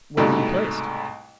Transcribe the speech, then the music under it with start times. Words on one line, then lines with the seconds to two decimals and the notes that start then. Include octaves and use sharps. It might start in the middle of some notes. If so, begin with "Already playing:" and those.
"Where were you placed?"
0.17 C2 G#2 B2 G3 A3